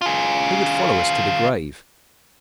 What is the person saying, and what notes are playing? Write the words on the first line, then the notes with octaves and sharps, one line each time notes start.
Who would follow us to the grave?
F4 G#4